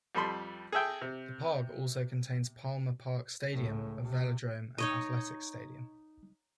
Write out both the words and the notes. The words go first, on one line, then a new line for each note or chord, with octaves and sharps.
The park also contains Palmer Park Stadium, a velodrome and athletics stadium.
F2 G3 A4 B5 C6
G#4 A4 E5 G5
C3
C#2 A2
C3
D#4 C#5 D#5